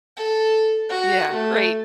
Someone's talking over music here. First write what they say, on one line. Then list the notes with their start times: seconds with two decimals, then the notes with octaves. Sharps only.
Yeah, great.
0.17 A4
0.89 F#4
1.31 A3